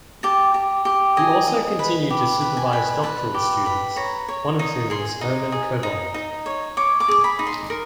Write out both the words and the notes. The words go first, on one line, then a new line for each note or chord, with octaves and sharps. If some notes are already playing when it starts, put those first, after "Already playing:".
He also continued to supervise doctoral students, one of whom was Hermann Kobold.
G4 A5
G4
G4
D#5 G#5
D#5
B4
G4
B4
G#5
B4
B4 A5
G4
B4
C#5 A#5
C#5
D#4
G#4 C6
D#4
G#4
D#4
D#4
C#5
C#5 D6
D6
G#4
B5
D#4
C6
A#4